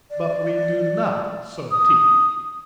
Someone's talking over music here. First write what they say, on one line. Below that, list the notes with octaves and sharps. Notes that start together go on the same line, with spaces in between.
But we do not so teach.
D5
D#6